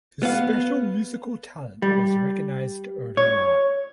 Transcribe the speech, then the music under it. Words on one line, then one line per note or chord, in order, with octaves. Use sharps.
His special musical talent was recognized early on.
B3 F5
G3
C#5